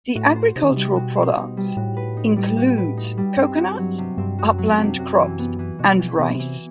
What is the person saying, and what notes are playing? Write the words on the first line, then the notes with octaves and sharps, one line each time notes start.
The agricultural products includes coconuts, upland crops and rice.
A2 F#4
C5
C3 D#4
D#3
C3 G3
B2 F#4
C5
B2 D#4
G3
A2 F#4
B4
D#4
G3
F#4
B4
D#4
G3
G2 C4
F#4
F#3
C3
G2 C4
F#4
F#2
F#3
F#2
C3
F#2 F#4
E3
B3
E3
B2 F#4
E3
C3 B3
B2
C3 E3